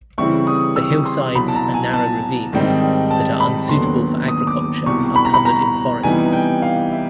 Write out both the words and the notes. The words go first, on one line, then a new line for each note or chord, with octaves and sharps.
The hillsides and narrow ravines that are unsuitable for agriculture are covered in forests.
C#3 E3 G3 C4 E4 C#6
D#6
E6
C6
C2 B2 F#3 B5
A5
A#5
G#5
A5
G#2 D#3 G3 C4 D#4
A5
B5
D#2 D3 F#3 B3 D4 C6
D#6
D6
C2 B2 G3 C#6
B5
A#5
B5
A#5
C3 E3 G3 B3 D#4 G#5
G5
F5
E5